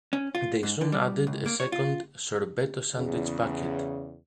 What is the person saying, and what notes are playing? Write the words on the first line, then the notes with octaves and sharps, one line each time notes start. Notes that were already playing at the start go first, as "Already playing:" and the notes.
They soon added a second, "Sorbetto Sandwich Packet".
C#4
F4
G#2
D3
G3
C#2
A#3
C#5
F4
E2 C#3